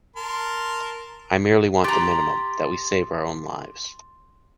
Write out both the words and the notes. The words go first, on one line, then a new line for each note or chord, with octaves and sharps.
I merely want the minimum—that we save our own lives.
A#4 A5 C6
G4 A#5 C6 A6